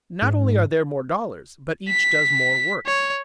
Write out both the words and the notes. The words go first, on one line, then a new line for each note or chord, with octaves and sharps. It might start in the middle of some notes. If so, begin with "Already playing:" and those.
Not only are there more dollars, but each does more work.
G#2
B6
C#5